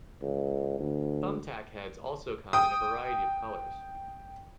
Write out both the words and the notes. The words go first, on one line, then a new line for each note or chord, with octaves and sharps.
Thumb tack heads also come in a variety of colors.
C#2
D2
G5 D#6